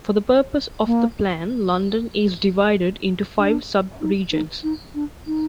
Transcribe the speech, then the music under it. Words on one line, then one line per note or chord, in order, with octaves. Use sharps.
For the purposes of the plan, London is divided into five sub regions.
A#3
D4
D#4
D#4
D#4
D4
D#4